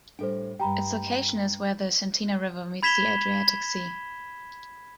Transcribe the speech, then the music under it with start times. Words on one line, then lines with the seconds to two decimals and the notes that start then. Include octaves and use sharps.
Its location is where the Cetina River meets the Adriatic Sea.
0.19 A2 G3 D4 A4 C5 G5
0.60 G2 G4 G5 A#5 B5
2.83 B5 G#6 B6 E7 F7 G7